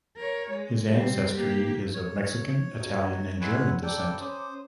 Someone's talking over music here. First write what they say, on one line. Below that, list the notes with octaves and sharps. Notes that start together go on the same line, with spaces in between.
His ancestry is of Mexican, Italian and German descent.
A#4 C#5
G#3
G3 C4
A#3 G4
C#5
F#4 D#5 A#5
E3 G#3 B4 C#5 F#5 E6
A4 D5 G5 A#5 B5 D6
C#4 C5 D#6